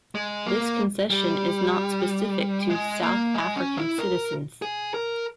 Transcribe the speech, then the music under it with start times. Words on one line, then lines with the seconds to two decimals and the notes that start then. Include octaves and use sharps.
This concession is not specific to South African citizens.
0.15 G#3
0.47 A#3
1.10 G3
2.70 G#3
3.02 A#3
3.34 G#3
3.56 C#4
3.77 E4
3.98 A#4
4.62 G#4
4.94 A#4